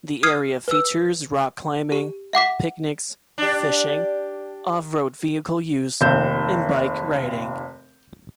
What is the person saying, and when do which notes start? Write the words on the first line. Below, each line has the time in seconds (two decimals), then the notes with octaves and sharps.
The area features rock climbing, picnics, fishing, off-road vehicle use and bike riding.
0.23 D#6 F6 G#6 C7 D#7
0.68 B4 E6
1.92 G4
2.33 E5 F#5 D6 B6
3.38 D4 G4
6.01 F1 D#2 G6 E7